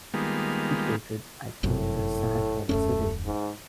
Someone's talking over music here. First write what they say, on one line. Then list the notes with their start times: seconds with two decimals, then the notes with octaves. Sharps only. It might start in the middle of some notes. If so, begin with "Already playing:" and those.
He stated; I think it's sad for the city.
0.14 D#3 G3 G#3 A#3 B3 F4
1.63 G1 F#2 A2 C3
2.69 D#1 F#2 A3 C#4
3.25 G#2